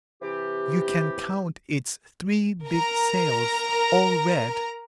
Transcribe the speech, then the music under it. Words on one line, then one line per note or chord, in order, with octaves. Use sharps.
You can count its three big sails--all red.
C3 E3 G4
A#4 A#5